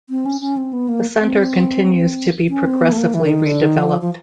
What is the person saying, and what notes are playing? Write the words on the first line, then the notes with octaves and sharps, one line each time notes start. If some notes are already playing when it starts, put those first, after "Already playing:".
The centre continues to be progressively redeveloped.
C4
C#4
C#4
C4
B3
A#3
C4
C#4
C4
B3
A3
A#3
E3
D3
D#3
D3
D#3
F3
F3